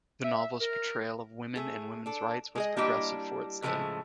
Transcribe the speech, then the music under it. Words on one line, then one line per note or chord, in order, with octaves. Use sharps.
The novel's portrayal of women and women's rights was progressive for its day.
E5
A#4
A3 G#4
D4 A4
G#3 G#4 D#5
G3 A#3 D4 E4 G4 D#5
A2 C#3 F3 G#3 A3